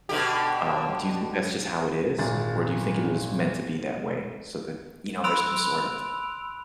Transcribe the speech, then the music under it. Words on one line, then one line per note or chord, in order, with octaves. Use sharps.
Um, do you think that's just how it is? Or do you think it was meant to be that way, so that, you know, there's some sort of
B2 D3 G4
G#1 A#2 G#4 A6
B5 C6 E6 F#6 D7 F7